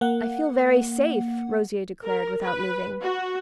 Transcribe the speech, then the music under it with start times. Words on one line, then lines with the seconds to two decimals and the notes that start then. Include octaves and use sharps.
"I feel very safe!" Rosier declared without moving.
0.01 A#3 F#5
2.04 A#4
2.43 B4
3.01 F#4